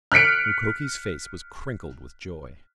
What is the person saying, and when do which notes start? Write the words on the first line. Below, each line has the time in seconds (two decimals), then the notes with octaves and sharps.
Mukoki's face was crinkled with joy.
0.12 F6 F#6 B6 C#7 D7